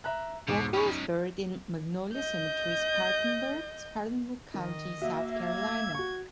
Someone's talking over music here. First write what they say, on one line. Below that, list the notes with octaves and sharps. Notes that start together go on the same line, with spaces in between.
Walker is buried in Magnolia Cemetery, Spartanburg, Spartanburg County, South Carolina.
E5 A#5 F#6
E1 G#2 B2 D6
C#4 D#4 B5 C#6
F#2
D#5 G6
D#3 D#5
A#3 F#4 E5
G#6
F#4 C#6